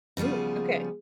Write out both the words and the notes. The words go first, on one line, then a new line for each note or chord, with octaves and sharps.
Ooh, okay.
C#3 F3 G3 B3 G#4